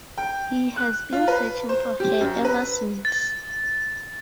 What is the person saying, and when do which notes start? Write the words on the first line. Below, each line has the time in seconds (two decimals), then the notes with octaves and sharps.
He has been searching for her ever since.
0.18 G5
0.76 F#6
1.13 F4
1.28 B4
1.69 C5
2.00 G4
2.21 F#2
2.45 B4
3.05 A6